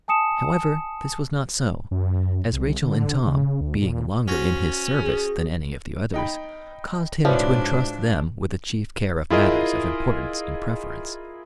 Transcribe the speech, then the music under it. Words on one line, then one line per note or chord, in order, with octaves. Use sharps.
However, this was not so, as Rachel and Tom, being longer in his service than any of the others, caused him to intrust them with the chief care of matters of importance in preference.
G#5 A5 D#6 C#7 E7
F#2
C2
D3
C#3
D2
A#2
C#4 F#4 C5
G#4
D#4 G5 B5
G#2 F3 D4 E4 F#4 B4 C#5 D5
E4 F4 G#4 A#4 D#5